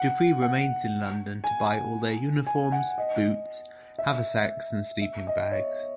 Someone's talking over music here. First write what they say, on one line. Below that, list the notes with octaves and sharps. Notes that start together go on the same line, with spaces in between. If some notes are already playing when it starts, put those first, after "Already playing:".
Dupree remains in London to buy all their uniforms, boots, haversacks and sleeping bags.
Already playing: F#5
F#5
G#5
G#5
F#5
D#5
E5
E5
D#5
C#5